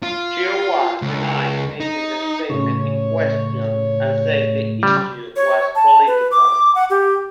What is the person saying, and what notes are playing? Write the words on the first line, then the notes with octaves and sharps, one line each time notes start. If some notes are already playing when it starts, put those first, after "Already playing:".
Chirwa denied making the statement in question and said the issue was political.
F4
C#2
D#4
A2 C#3 C#5
C#3 G3
C#5
A5
B4
D6
F#5
G4